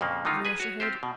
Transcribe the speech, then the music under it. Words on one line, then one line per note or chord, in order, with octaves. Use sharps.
Alyosha heard.
F2 A#2 C#3 A#3
D3 D#3 A3 D#4 F4
G#4 B4 G#5
F#4 C#5
C4 F4 G4 C5
B2